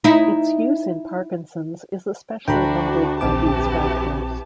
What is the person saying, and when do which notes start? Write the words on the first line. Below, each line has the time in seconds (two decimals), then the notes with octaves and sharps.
Its use in Parkinson's is especially limited by these factors.
0.04 D#4 E4
2.48 D2 D4 F#4 G5 A#5 B5
3.21 A#1 E3 C4 G4 A5 D6